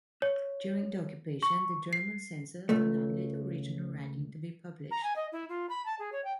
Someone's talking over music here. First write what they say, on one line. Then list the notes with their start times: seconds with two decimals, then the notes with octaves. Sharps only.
During the Occupation, the German censors allowed little original writing to be published.
0.22 C#5
1.43 C#6
1.93 C7
2.69 C#2 A3
4.91 A#5
5.03 G#5
5.16 D#5
5.32 E4
5.49 F4
5.69 B5
5.86 A5
5.99 G#4
6.12 C#5
6.25 G5